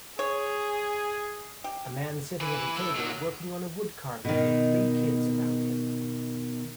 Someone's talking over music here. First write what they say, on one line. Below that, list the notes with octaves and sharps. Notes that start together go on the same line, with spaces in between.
A man sitting at a table working on a wood carving with three kids around him.
G#4 C#5
G4
E3 B4
E4 A4
D#3 F#3
B2 D#3